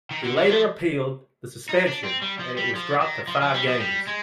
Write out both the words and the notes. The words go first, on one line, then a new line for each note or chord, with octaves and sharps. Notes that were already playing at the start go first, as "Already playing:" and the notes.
He later appealed the suspension, and it was dropped to five games.
D#3
D3
D3
D#3
F3
D#4
D4
C4
G3
F3
G3
F3
D#3
F3
F3
G3
F3
G3
G#3